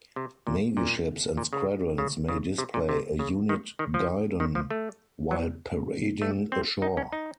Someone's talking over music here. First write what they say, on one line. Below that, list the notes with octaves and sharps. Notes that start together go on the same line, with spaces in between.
Navy ships and squadrons may display a unit guidon while parading ashore.
C3
A#2
A#2
A#2
C#3
C#3
C#3
C3
A#2
C3
C#3
D#3
D#3
F3
D#3
F3
A3
F#3
A3
C4
D#4
C#4
D#4